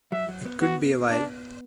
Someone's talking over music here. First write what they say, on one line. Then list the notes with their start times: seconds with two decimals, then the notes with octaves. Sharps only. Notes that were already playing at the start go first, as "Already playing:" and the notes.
It could be a while.
0.12 F#3 E5
0.29 F#3
0.45 B3
0.61 B3 F#4
1.10 D4